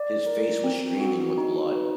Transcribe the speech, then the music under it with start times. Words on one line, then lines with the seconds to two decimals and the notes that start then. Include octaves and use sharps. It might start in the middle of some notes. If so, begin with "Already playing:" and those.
His face was streaming with blood.
Already playing: D5
0.26 A#4
0.64 C4
1.01 F#4
1.38 D#4
1.75 B4